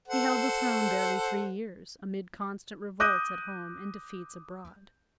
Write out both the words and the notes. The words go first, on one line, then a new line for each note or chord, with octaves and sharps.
He held the throne barely three years, amid constant revolts at home and defeats abroad.
A4 C5 F#5
D6 D#6 F#6 G6 A#6 D#7